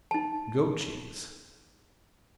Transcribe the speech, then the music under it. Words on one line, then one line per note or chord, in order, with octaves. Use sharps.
Goat cheese.
D#4 A5